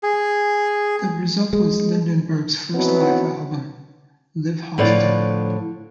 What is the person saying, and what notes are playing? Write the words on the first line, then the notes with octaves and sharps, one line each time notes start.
The result was Lindenberg's first live album "Livehaftig".
G#4
G#3
B2 E3 F#3 B3 C4
A2 D3 F3 B4 C#5 D5